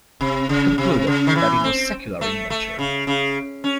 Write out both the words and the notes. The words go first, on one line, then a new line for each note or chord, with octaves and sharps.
He concluded that it was secular in nature.
C3
C#3
C3
C#3
D#3
E3
C4
A3
A3
C#3
C#3
C#4